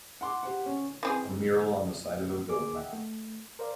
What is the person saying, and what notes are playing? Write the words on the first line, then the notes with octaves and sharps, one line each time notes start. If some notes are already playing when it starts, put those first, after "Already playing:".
A mural on the side of a building.
F#5 C6 D6
G4 C5 F#5
C#4
E3 C4 G#4
A#3 G#4 D6
D#5 E5 F#5 G5
A3
A#4 C5 D5 F5